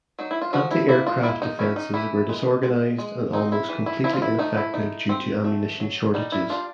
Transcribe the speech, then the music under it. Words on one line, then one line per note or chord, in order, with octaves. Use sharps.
Antiaircraft defenses were disorganized and almost completely ineffective due to ammunition shortages.
F#3 D#4
E4
F4
F3 F#4
E4
A#3 E4
F4
G#3 E4
D#4
C#4 E4
D#4
E3 E4
G#3
G#3
G#3
C4 D#4
E4
E3
E4
F3 E4
F4
E4
A3 D#4
E4
D#4
C4
A3
F#3
G3 D#4
E4
D4 F4